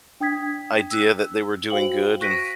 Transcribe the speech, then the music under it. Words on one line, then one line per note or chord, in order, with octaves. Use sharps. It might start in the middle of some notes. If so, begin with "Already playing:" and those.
idea that they were doing good and
D4 G5 D#6 G#6 B6
E6 F#6
F#4 C5 F5 G5 F#7
C#6 F#6 A#6 B6 D7 D#7